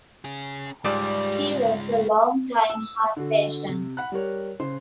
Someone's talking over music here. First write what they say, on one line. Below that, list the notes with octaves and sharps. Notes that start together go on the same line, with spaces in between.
He was a long time heart patient.
C#4 G#4
G#2 G3 G#3 F4 D5
E6
D3 F#4
C3
F#5 B5 F#6
G3 G4 A#4 C#5
C#3 C5 C6